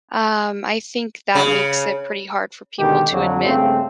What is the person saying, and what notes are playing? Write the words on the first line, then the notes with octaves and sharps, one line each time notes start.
um, I think that makes it pretty hard for people to admit
C#3
B2 D3 D#3 G#3 A#3 G4
F2 D3 F#3
G2 C#3 A3 A#3 C4